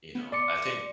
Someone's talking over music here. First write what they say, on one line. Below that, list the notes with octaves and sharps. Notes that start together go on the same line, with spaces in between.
You know, I think,
B3
D5 C6 D6 C#7